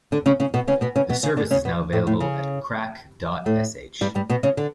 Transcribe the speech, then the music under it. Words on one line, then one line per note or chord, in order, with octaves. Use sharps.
The service is now available at crack dot sh.
D3 D4
C#3 C#4
C#3 C#4
B2 B3
C#3 C#4
B2 B3
C#3 C#4
B2 B3
C#3 C#4
D3 D4
C#3 C#4
B2 B3
A2 A3
A2 A3
C#3 C#4
A2 A3
G2 G3
G2 G3
B2 B3
C#3 C#4
D3 D4